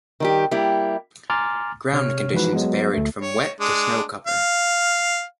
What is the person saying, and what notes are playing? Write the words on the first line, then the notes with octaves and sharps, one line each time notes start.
Ground conditions varied from wet to snow cover.
D#3 G3 G4
G3 A#3 E4 G4
G#5 A#5 C6 D6 F6 A6
C3 C#5 F6
E3 F3 G#3 D#4 F#4 B4
F#3 G#3 B3
D2 A3
C#5
G#3 D4
F5